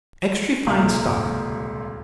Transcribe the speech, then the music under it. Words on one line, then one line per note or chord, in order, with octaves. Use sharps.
Extry fine stock.
D#1 C#2 C3 A#3 F4 A#5